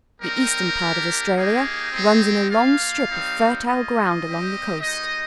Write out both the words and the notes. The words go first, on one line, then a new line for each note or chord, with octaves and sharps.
The eastern part of Australia runs in a long strip of fertile ground along the coast.
G3 C4 D#4 G4 A#4
A#3 D4 G4
A#3 D#4 G4 G#4
C4 D#4 G4
A#3 F4 F5
G3 C4 D#4
A#3 F4 D#5
G3 C4 G4
G#3 D#4 G4 D#5